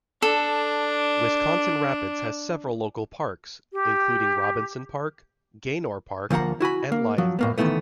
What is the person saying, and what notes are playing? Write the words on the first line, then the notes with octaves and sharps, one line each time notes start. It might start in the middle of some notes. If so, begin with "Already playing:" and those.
Wisconsin Rapids has several local parks, including Robinson Park, Gaynor Park, and Lyon Park.
D4 A4
G4
D2 F3 A#3 F#5 A#5
E4 F#4 G#5 B5
A#3
F3 F#3
A2 A#3 B3
D2 D#3 E3 A3 B3